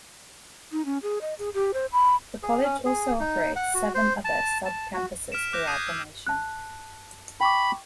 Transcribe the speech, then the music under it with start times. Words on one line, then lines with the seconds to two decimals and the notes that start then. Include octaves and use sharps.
The college also operates seven other sub-campuses throughout the nation.
0.72 D#4
0.85 C#4
1.03 G#4
1.21 D#5
1.39 G#4
1.54 G4
1.74 C5
1.93 B5
2.43 G#4
2.63 C#4
2.85 G#4
3.20 D#4
3.56 F#5
3.75 F#4
3.94 C5
4.25 A5
4.65 A5
4.94 F#4
5.32 F6 B6 D7 E7
5.53 D6 F#6 G6 A#6 E7
5.67 D#6 G6 G#6 C7 D#7
5.87 E6
6.27 A5 F#6
7.41 G5 B5 C#6 D6